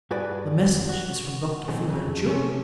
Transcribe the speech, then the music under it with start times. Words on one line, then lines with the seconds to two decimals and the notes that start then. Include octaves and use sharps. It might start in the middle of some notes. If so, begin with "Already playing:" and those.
"The message is from Dr. Fu-Manchu!"
0.11 G2 F#4 G#4 B4 D5
0.60 F2
0.89 F#4
1.68 B2 D#3 E3 F#3 A3 C4
1.88 F2 C#3 F#3
2.26 C3 A3 C#4 A4